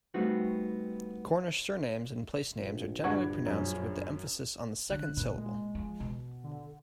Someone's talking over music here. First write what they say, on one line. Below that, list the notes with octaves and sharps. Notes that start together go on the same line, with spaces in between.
Cornish surnames and placenames are generally pronounced with the emphasis on the second syllable.
G3 A3 B3 C4 D#4 F#4
A#1
G2 D3 E3 D4 F#4 G#6
F#2 C#4
D3 F#6
A#2
G#3
F3
B2
D3